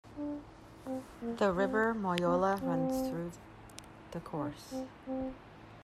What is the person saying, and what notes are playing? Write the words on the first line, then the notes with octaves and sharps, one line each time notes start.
The River Moyola runs through the course.
D4
C4
A#3
C4
C4
C4
D4
C4
C4